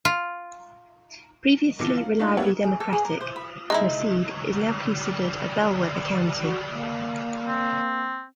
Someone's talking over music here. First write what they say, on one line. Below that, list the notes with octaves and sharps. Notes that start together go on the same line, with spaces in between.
Previously reliably Democratic, Merced is now considered a bellwether county.
F4
B1 D3 E3 F3 D6 C#7
F5
A3 D4 D#4 F4
G3 A#3 B3 C#5 E5 F#5
G#4
A4
G#4
A#4
C5
B5
G#3 D#4 E4 D#5
F#4
A#3
C4